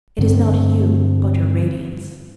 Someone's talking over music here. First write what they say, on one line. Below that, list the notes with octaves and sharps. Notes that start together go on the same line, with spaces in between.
It is not you, but your radiance.
G2 D3 C4